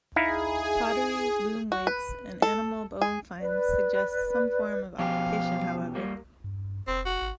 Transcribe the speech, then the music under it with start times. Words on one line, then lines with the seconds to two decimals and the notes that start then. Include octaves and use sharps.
Pottery, loom weights and animal bone finds suggest some form of occupation however.
0.16 D#4 E4 G#4 F5
1.72 F#4
1.87 B4
2.42 A4
3.01 G#4
3.40 B4 D5
4.98 B2 F3 C#4 G4 F5
5.95 G3 A#3
6.44 G2
6.88 F1 C4
7.06 F#4
7.22 G#1